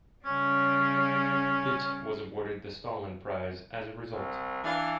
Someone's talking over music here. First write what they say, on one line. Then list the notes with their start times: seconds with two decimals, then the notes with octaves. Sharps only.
It was awarded the Stalin Prize as result.
0.25 C#3 G3 C#4
4.13 C2
4.64 E3 D4 F5